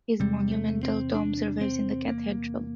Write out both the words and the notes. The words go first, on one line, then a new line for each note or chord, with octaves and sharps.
His monumental tomb survives in the cathedral.
E2 C3 G3
A3
C4
D4
C4
A#3